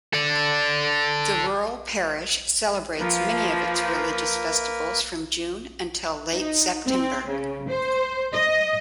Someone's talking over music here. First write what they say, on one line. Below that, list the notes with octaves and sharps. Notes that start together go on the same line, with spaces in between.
The rural parish celebrates many of its religious festivals from June until late September.
A4 D5
F3 A#3 A#4 B4
D#4
C4
C#3
C5
D#5